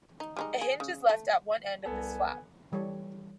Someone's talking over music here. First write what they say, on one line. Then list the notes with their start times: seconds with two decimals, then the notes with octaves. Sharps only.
A hinge is left at one end of this flap.
0.20 D#4
0.36 G3 G#3 D#4
0.61 G#4
0.80 C#3
1.09 A3
1.85 C2 B3 A4 G#5
2.72 E3 G3 A4 C#5